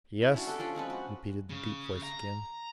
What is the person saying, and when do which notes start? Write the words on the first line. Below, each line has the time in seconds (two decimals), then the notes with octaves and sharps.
"Yes," repeated the deep voice again.
0.22 E4
0.34 C#4 D4 F#4
0.47 G4 A4
0.59 F3 C#4 D4 D5
0.75 G#3 C4 C#4 B4
0.90 F#4
1.50 C#3
2.03 A#5